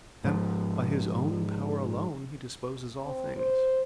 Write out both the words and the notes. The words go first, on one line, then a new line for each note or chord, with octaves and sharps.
'Then, by His own power alone He disposes all things.'
G#2 F3
C4
C5